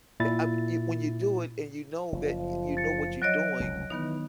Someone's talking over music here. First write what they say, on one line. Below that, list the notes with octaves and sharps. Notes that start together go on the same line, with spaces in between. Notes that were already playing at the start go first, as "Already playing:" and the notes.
uh, ye a when you do it and you know that you know what you're doing,
A#2 E4 A6
F#1 F3
A6 C#7
F#3 C#5 D#5 F#6 A#6 D7
F1 C#2
D#3 E3 B3 D#4